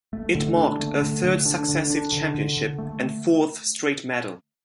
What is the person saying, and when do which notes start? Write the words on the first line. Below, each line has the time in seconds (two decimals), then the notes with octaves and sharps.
It marked her third successive championship and fourth straight medal.
0.13 A3
0.35 D3
0.56 D4
0.80 A3
1.02 D3
1.24 D3
1.46 D4
1.68 D3
1.90 D4
2.13 D3
2.35 D3
2.57 D3
2.78 A3